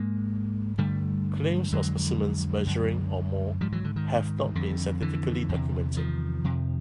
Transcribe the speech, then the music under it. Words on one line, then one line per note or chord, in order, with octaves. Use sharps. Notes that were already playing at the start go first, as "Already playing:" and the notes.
Claims of specimens measuring or more have not been scientifically documented.
Already playing: G#2 G#3 A#3
G2 D3 G3 A3
F2 D3 F#3 G#3
F#2 D3
G#2 F3 G3
E3 F#3
D3
D#3
F2 D3
D3 E3
E2 C3
D#3 F3
F2 C3